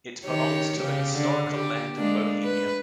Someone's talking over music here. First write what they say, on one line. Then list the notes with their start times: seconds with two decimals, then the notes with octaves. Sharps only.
It belongs to the historical land of Bohemia.
0.25 D#3 G4 C#5
0.78 C#3 C#4 G4
1.13 D3
1.55 G4
1.96 G#3 A#3 D4
2.43 B4